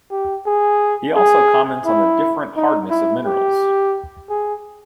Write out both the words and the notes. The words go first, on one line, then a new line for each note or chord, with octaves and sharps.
He also comments on the different hardnesses of minerals.
G4
G#4
G#4
E4
D#4
E4
G4
G#4